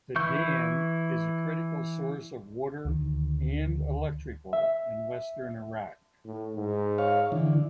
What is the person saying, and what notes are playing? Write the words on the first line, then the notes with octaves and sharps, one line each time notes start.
The dam is a critical source of water and electrical in western Iraq.
E3 E4 C#6 G6
D2 D#3
E5
A2
G#2
C#5 F5
D3 E3